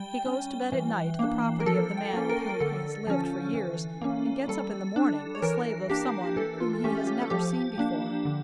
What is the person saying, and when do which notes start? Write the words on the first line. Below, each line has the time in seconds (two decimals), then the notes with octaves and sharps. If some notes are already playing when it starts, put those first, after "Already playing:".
He goes to bed at night the property of the man with whom he has lived for years, and gets up in the morning the slave of some one whom he has never seen before!
Already playing: G3 G5
0.25 C#4
0.72 E3
1.19 A#3 D4
1.60 A#4
1.66 F3 A4
1.97 G5
2.13 A#3 C#4
2.29 A#4
2.49 A#4
2.60 D3 A4
3.07 F3 C#4
3.54 E3
4.02 A#3 C#4
4.48 G3 A4
4.96 D4
5.35 C#5
5.42 E3 A#4
5.90 A#3 D4 G4
6.36 E3 A4
6.60 F4
6.84 A3 C#4 G4
7.07 G4
7.22 A4
7.30 F3 G4
7.78 A#3 D4
8.25 D3